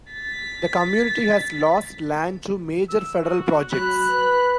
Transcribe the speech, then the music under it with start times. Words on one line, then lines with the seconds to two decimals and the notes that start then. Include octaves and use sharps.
The Community has lost land to major federal projects.
0.13 A6 B6
2.89 E6
3.23 F#4
3.72 F#3 B5 F#6
4.09 B4